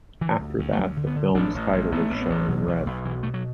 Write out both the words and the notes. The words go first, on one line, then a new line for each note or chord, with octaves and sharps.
After that, the film's title is shown in red.
D3 E3
D2
D2
A3
D2 F#3
D3
B3
D3
A1 D4
A1
A1
A1 B3
A3
A1 B3
B3
A1
B2 F#3
B1
B1
B2 E3
B2 A3
F#3